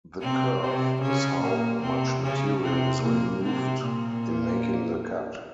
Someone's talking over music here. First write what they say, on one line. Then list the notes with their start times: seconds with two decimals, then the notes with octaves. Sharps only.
The kerf is how much material is removed in making the cut.
0.21 C3 C4
0.61 C3 C4
1.01 C#3 C#4
1.41 A#2 A#3
1.82 C3 C4
2.22 C#3 C#4
2.62 C3 C4
3.03 A#2 A#3
3.42 C3 C4
3.83 A#2 A#3